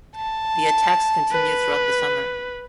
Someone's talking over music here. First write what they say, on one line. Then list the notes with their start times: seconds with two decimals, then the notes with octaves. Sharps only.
The attacks continued throughout the summer.
0.15 A5
1.31 B4